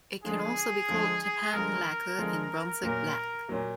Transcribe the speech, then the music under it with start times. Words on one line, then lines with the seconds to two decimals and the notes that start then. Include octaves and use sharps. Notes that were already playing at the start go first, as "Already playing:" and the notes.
It can also be called japan lacquer and Brunswick black.
0.23 D3 F3 G#3 G#4
0.88 D3 F3 G#3
1.53 D3 F3 G#3 A#4
2.18 D3 F3 G#3
2.83 A#2 F#3 A#3 A#4
3.48 A#2 F#3 A#3